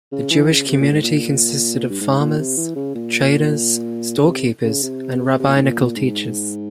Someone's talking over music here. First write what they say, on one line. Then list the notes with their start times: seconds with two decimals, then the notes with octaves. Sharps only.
The Jewish community consisted of farmers, traders, storekeepers, and rabbinical teachers.
0.12 C#3
0.31 E3
0.50 C#3
0.69 C3
0.80 A#2
0.91 G#2
1.03 A#2
1.90 G2
2.00 G#2
2.20 A#2
2.39 C3
2.57 E3
2.75 C#3
2.95 A#2
4.17 C#3
4.26 C3
4.64 C#3
4.83 C3
5.40 C3
5.48 A#2
5.55 G#2
5.63 A#2
5.96 G#2